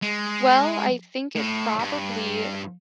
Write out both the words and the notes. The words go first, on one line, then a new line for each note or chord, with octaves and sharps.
Well, I think it probably i
G#3
A2
G2